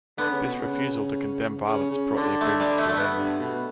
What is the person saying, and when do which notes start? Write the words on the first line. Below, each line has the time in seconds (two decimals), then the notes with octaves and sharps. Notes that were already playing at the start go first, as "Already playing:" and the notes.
This refusal to condemn violence brought the agreements to an end.
0.18 D3 B3
0.30 C#3
0.43 B2
0.57 C#3
1.67 C#3
1.91 C#3
2.16 D3
2.41 A3
2.60 G3
2.78 A3
2.89 A3
2.97 B3
3.16 G2
3.40 B2